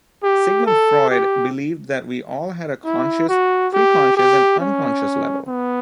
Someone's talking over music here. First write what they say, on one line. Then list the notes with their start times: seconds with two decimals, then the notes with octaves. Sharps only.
Sigmund Freud believed that we all had a conscious, preconscious, and unconscious level.
0.23 G4
0.66 A4
1.10 G4
2.85 E4
3.29 F#4
3.73 G4
4.17 G4
4.60 C#4
5.47 B3